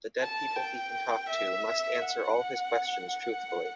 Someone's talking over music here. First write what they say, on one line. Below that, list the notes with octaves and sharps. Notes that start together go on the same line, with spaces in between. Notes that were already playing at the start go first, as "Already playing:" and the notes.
The dead people he can talk to must answer all his questions truthfully.
A5
G5
E5
F#5
F#5